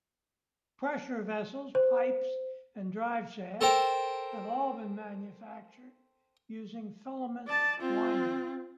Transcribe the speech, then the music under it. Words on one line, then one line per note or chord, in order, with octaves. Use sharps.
Pressure vessels, pipes and drive shafts have all been manufactured using filament winding.
C5
A4 A#4 C5 G5
D5 A5
C4 F4